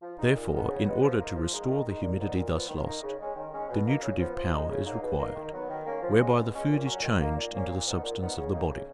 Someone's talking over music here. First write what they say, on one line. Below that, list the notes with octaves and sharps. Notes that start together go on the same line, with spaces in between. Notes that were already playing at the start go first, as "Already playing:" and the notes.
Therefore, in order to restore the humidity thus lost, the nutritive power is required, whereby the food is changed into the substance of the body.
F3
G#3 D#4
A#2
F3 B3 D#4
C#3
G#3 B3
F3
A#3 D#4
F3
G#3 D#4
D#3
G#3 D#4
A#2
F3 B3 D#4
A#2
F3 B3
D#3
A#3 D#4
C#3
G#3 C#4
D#3
G#3 C#4
B2
A#3 D#4
C#3
F3 B3
F3
G#3 D#4
C#3
F#3 A#3 D#4
B2
A#3 D#4
D#3
F#3 B3
D#3
A#3 C#4
F3
G#3 C#4
B2
G#3 C#4
A#2
F#3 C#4
D#3
A#3 D#4
A#2
F3 A#3 C#4
A#2
F3 B3 D#4
A#2
F3 B3 D#4
C#3
F#3 A#3 D#4
C#3